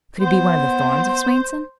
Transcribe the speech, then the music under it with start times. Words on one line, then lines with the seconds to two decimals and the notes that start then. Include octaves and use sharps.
"Could it be one of the Thorns of Swainson?"
0.21 B3 C5